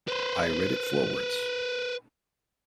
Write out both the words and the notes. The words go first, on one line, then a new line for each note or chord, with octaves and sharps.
I read it forwards.
B4 C5